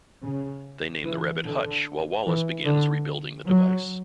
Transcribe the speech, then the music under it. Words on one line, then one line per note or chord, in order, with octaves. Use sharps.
They name the rabbit Hutch while Wallace begins rebuilding the device.
C#3
E3
D3
E3
D3
F#3